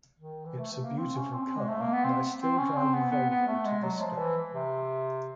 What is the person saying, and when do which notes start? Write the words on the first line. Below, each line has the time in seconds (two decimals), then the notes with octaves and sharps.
It's a beautiful car and I still drive a Volvo to this day.
0.19 D#3
0.45 E3
0.58 A3
0.72 A3
0.84 A#3
0.98 C4
1.15 C#4
1.33 C4
1.57 G#3
1.69 A3
1.81 A#3
1.93 B3
2.05 C4
2.41 C4
2.58 C#4
2.76 C4
2.94 B3
3.11 B3
3.30 B3
3.48 A3
3.65 G#3
3.83 F#3
4.01 F3
4.19 E3
4.54 C3